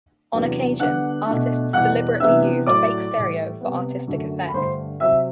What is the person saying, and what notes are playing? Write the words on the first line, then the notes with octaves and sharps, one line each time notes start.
On occasion, artists deliberately used fake stereo for artistic effect.
E2 C3 F#3 B3 D4
D3 G3 B3 D4 F#5 F#6
B2 A3 D4
E2 B2 G3 F#5 F#6
C3 E3 B3 D4 E5 E6
A2 F#3 A3 E4 D5 D6
A2 E3 G3
C3 G3 B3
F#2 D3 A3
B5
G2 D3 A3 C5 C6
C3 F#3 C4 E5 E6